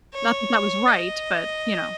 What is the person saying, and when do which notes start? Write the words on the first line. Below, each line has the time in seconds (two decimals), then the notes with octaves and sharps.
Not that that was right, but you know.
0.14 C#5
0.88 D#5